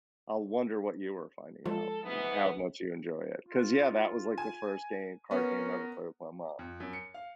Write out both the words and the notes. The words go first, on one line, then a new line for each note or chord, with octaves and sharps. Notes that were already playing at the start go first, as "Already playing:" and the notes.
I'll wonder what you were finding out and how much you enjoy it 'cause, yeah, that was like the first game card game I ever played with my mom.
F3 G#3 F4 A4
G#2 E3 B3
F4
G#5
B3 C#4 A#4
F2
F#2
C#7
F5